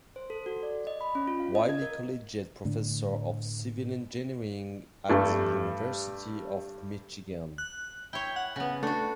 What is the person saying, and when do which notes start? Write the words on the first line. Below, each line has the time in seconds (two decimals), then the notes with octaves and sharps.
Wylie Collegiate Professor of Civil Engineering at the University of Michigan.
0.16 C5
0.30 A4
0.46 F#4
0.63 D5
0.87 D#5
1.01 B5
1.15 C#4
1.27 F4
1.40 F5
1.55 D#5
1.69 G#6
1.82 A#4
2.65 A2 D3
5.09 G2 G3 A3
7.58 F#6
8.13 E4 C#5 G5
8.36 F#5
8.56 C#3 B3
8.83 A3 D4 F#4